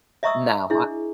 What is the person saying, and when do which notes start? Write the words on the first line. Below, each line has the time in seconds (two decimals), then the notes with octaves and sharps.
No, I
0.23 D#5 E5 A#5 C#6 D#6 E6
0.70 D4 E4 G#4